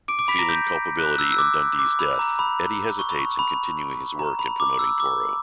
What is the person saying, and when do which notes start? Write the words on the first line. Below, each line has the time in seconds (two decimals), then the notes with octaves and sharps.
Feeling culpability in Dundee's death, Eddie hesitates in continuing his work in promoting Toro.
0.08 D6 D7
0.19 D6 D7
0.28 B5 B6
0.39 A#5 A#6
0.49 G6
0.99 F#6
1.19 E6
1.32 E6
1.38 D6
1.79 D6
1.99 B5
2.19 A#5
2.39 B5
2.99 C#6
3.10 B5
3.19 C#6
3.39 B5
4.19 A#5
4.39 B5
4.60 D6
4.79 E6
5.00 D6